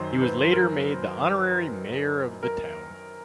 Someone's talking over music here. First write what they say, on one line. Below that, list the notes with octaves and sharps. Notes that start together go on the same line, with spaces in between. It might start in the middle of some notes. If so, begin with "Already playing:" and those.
He was later made the honorary mayor of the town.
Already playing: F#2 D#3 F#3 C5
B4
A#4
A#4